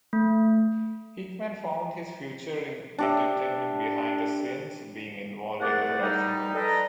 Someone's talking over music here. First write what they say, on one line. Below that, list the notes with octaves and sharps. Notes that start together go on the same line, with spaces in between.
Hickman found his future in entertainment behind the scenes, being involved in production roles.
A3
D4 G4 E5
C2 A3 G#4 A#4 D5 F#5
G3 D#4
A4 B4 D5 D#5 A#5